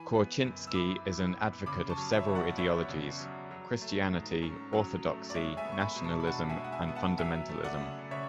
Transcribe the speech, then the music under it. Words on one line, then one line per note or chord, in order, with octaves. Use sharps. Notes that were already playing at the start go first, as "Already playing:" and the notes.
Korchynsky is an advocate of several ideologies - Christianity, Orthodoxy, Nationalism, and Fundamentalism.
Already playing: E3 G#5 B5
B3
F#2
E6
E4 B5 D6
E3
B3
C#3 B5 D6
A5 C#6
F#3
C#5 E5
E2
D5 F#5
B3 C#5 E5
C#3
F#3
F#3
A3
G#2
C#4
F#3
A3
D5
G#3 C#5 E5
E5 G#5
B3
C#6
G#5 B5
B2
A5 C#6
B5
D4 F#5 A5
E5 G#5
G#3
F#5
E5 G#5
B3
F#5 A5
F#3 E5 G#5
A3
D5 F#5
C#3
C#3 C#5 E5